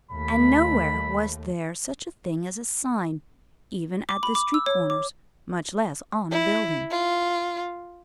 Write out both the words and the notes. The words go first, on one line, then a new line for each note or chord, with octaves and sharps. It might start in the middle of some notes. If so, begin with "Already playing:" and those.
And nowhere was there such a thing as a sign, even at the street corners, much less on a building.
D#2 A3 B5
D6
B5
D6
E6
C#5
D6
E4
F4